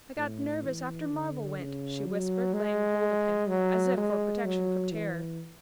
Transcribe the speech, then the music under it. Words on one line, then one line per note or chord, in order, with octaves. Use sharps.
"I got nervous after Marvel went," she whispered, laying hold of him, as if for protection from terror.
A2
E3
D3
C#3
F#3
G#3
F#3
G#3
F#3
E3